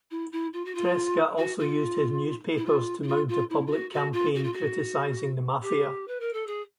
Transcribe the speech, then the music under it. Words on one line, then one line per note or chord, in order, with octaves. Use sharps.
Tresca also used his newspapers to mount a public campaign criticising the Mafia.
E4
E4
F4
F#4
F4
F#4
F4
E4
F4
E4
F4
F4
E4
F4
F#4
F#4
F4
F#4
F4
F#4
G4
B4
A#4
A4
G#4